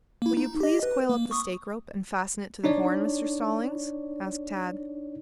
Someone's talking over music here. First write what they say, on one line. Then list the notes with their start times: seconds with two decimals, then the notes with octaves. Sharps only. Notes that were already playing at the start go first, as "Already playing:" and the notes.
"Will you please coil up the stake rope and fasten it to the horn, Mr. Stallings?" asked Tad.
0.22 A#3 E4
0.37 D#4
0.60 G4 D#5
0.83 B4
1.10 A#3
1.31 C#6 D#6
2.64 D4 D#4 C#5 D5